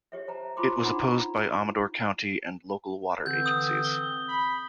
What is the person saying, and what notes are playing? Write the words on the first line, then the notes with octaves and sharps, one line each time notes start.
It was opposed by Amador County and local water agencies.
G4 C#5 E5
C5 A5 A#5
F4 C5 A5 B5 C6 D6
D4 D#4 F4 F#5 A#5 B5
D3 E3 C4 G6
D#6
G7
B5